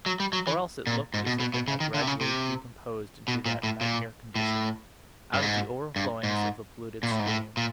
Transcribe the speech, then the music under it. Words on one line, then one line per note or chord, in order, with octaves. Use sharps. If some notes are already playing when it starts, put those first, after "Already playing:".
Or else it looked as if it had gradually decomposed into that nightmare condition, out of the overflowings of the polluted stream.
F#3
G3
F#3
E3
A#2
G#2
B2
B2
B2
C#3
D#3
D3
C3
C#3
C3
B2
A#2
A2
A#2
A2
G2
G#2
G2
G#2
A#2
A2
G#2
A2
A#2